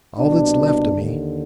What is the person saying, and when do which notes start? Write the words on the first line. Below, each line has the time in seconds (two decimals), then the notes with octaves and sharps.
'All that's left of me.
0.18 C2 B2 D4
0.95 D#2 D3